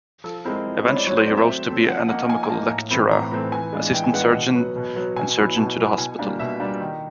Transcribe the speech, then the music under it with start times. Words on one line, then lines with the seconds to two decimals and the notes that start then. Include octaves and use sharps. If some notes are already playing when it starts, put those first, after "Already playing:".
Eventually he rose to be anatomical lecturer, assistant-surgeon and surgeon to the hospital.
0.24 F3 A4
0.45 G#3 C4 E4 A#4
0.66 F3
0.86 G#3 C4 E4 C#5
0.96 D5
1.06 F#3 C#5
1.17 C5
1.26 A3 C4 D5
1.37 E5
1.47 F#3
1.68 A3 C4
1.88 F3 F#5
2.08 A#3 D#4 F#5
2.29 F3 G#5
2.43 G#5
2.49 A#3 D#4 A5
2.70 A2 A#5
2.91 E3 A3 C4 B5
3.11 A2 A#5
3.32 E3 A3 C4 A#5
3.52 E3 G#5
3.73 G#3 B3 D4 F4
3.93 E3 G5
4.04 G#5
4.13 G#3 B3 D4 F4 F#5
4.24 F#5
4.34 B2
4.55 F#3 B3
4.76 B2
4.96 F#3 B3
5.16 B2 G#5
5.37 F#3 B3 E4
5.57 B2 A5
5.78 F#3 B3 E4
5.98 B2 G#5
6.19 G3 A#3 D4 F4
6.39 B2 E5
6.60 G3 A#3 D4 F4
6.80 D#3